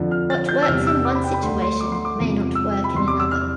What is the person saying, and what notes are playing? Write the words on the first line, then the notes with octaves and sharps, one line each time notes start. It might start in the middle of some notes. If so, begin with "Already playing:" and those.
What works in one situation may not work in another.
Already playing: F2 D3 F3
F6
A6
G6
E6
E2 C3 E3 G3 F6
E6
D6
B5
G5
B5
D2 D3 A3 C6
C6
D6
C6
D6
E2 C3 F3
E6
B5
E2 C3 G3 C6
D6
E6
F6